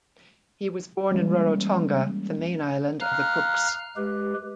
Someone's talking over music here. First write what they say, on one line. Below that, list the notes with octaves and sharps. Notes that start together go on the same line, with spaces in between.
He was born in Rarotonga, the main island of the Cooks.
E3 G3 G#3 A#3 C#4
F5 A#5 F6 F#6
G#3 G4 B4